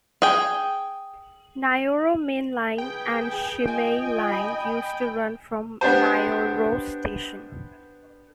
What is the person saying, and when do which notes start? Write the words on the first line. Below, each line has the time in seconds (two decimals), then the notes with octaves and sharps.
Nayoro Main Line and Shimmei Line used to run from Nayoro Station.
0.22 G#4 G5
2.78 G#4 B4 G5
3.67 F4 D#5 G#5
4.31 B5
5.81 B3 D4 G4 C5